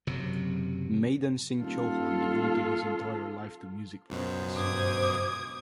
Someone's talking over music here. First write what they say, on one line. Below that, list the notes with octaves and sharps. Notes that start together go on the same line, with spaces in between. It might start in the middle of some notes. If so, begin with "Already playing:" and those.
Madan Singh Chauhan devoted his entire life to music practice.
F#1 C3 F#3
D#1 F4 A4
C#2 F#2 B2 C5
G2 D6 D#6 G#6